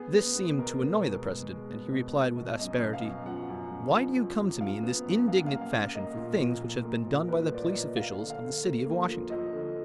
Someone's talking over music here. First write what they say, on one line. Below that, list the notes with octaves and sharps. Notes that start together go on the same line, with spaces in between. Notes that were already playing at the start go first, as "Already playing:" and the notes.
This seemed to annoy the President and he replied with asperity, "Why do you come to me in this indignant fashion for things which have been done by the police officials of the city of Washington?"
Already playing: B3 G#4
B3
B3
B2 A#4
B3
G#3
G#3
G#3
B3
B2
B2
B2
F#2 D#5
B3
F5
F#2
F3 F#5
F#2
F3
F3
F3
F#2
F3 F5
B3
F#2
A#3 F5
F#5
A#3 F5
F5
A#3
A#3 D#5
A#2
F3
A#3
A#3
F3
A#4
A#2 B4
F3 D5
D#5
A#3
A#3 F5
D3
F5
D3
A#3
A#3
F3
F3 D#5
D3